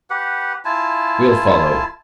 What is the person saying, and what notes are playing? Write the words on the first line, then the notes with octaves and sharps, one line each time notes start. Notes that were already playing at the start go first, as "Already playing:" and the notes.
We'll follow.
G4 B4 F#5
E4 F4 G#5 A5